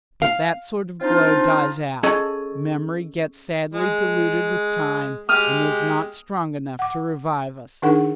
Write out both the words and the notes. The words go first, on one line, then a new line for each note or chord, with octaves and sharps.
But that sort of glow dies out: memory gets sadly diluted with time, and is not strong enough to revive us.
F5
C4 D4 D#4 F4
C#4 G#4 A4 D#5 A5
G#3
G#3 G4 D#6 F6
F#5 D6
D#3 D4 D#4 G#4 A#4 F#5